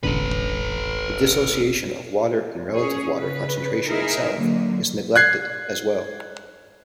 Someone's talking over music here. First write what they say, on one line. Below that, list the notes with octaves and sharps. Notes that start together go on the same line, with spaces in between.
The dissociation of water and relative water concentration itself is neglected as well.
E1 A1 D3 A4 B4
C#4 G#4 C#5
C#3 B4
D#4 E4 G#4 A#4 E5
D3 F#3 A#3
F#6 G#6 C7